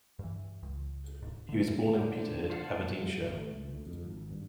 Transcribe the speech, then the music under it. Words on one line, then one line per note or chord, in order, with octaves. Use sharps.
He was born in Peterhead, Aberdeenshire.
G2 E3
C#2
D1 B1 G#2
D3 A3
D3 C5
C5 F5 F#5 A5
G#3
G#1
A3
C#2
D2
F2
G#1
G2